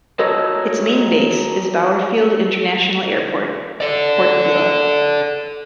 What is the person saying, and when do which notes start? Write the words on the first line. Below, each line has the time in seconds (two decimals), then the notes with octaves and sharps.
Its main base is Bauerfield International Airport, Port Vila.
0.19 F#4 A4 A#4 C#5 D#5
3.81 A4 D5